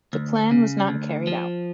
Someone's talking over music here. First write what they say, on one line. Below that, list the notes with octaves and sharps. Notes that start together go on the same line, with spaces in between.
The plan was not carried out.
D2
C#3
D2
F3